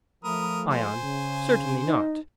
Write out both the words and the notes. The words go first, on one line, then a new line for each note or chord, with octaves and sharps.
ION: Certainly not.
F3 A3 A#4 B5 D#6
C5 G#5
C#3
D#4